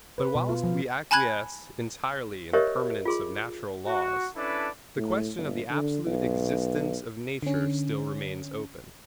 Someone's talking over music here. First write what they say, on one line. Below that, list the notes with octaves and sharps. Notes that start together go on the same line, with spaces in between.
But whilst we acquiesce entirely in the permanence of natural laws, the question of the absolute existence of nature still remains open.
B4
B2
F4
F3
G#5 A5 B5 F#6 G#6
G4 A#4 C5 C#5 D#5 E5
F4 G#4 C6
F#4
C#4 D4 E4 A4 B4 D5
A2
G1
D3
B1
D3 C#4